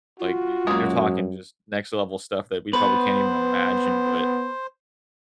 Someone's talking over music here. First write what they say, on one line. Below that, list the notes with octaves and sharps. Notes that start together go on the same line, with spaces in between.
like, y you're talking just next level stuff that we probably can't even imagine. But
F4 F#4
F#2 G#3 A#3
B3 B4 C5